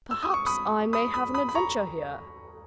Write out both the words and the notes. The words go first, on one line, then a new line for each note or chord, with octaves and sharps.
Perhaps I may have an adventure here.
E6
D#6
C#6
B5 D#6
B5 D#6
B5 D#6
B5 D#6
B5
A#5 C#6